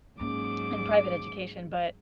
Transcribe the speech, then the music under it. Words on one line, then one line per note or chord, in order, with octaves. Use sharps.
in private education, but
G#2 F#3 A#3 C#4 D6